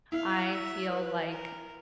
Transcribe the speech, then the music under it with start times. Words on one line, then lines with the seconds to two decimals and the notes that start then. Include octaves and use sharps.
I feel like
0.12 E4 F5
0.51 E5
0.90 B4
1.30 A#4